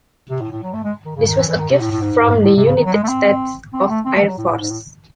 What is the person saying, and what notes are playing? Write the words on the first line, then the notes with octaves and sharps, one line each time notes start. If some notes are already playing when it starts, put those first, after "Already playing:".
This was a gift from the United States Air Force.
C3
A2
A2
F#3
A3
G#3
D#3
C#3
D#3
E3
E3
D#3
C3
A2
A2
G#2
A2
C3
C#3
D#3
F#3
G#3
A3
C4
C4
A3
C4
A3
E3
F#3
A2
A2
G#2
A2